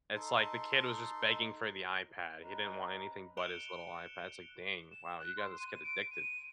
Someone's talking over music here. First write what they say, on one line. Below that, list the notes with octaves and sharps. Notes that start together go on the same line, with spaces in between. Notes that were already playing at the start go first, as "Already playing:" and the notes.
it's like the kid was just begging for the iPad, he didn't want anything but his little iPad. It's like, "Dang. Wow, you got this kid addicted."
D#4 A4 C6
C4 C#4 B4 D#5 A#5
F#6 C#7 D7 E7 F7 G7
E7
F#6
C6
D#7
D7
D#7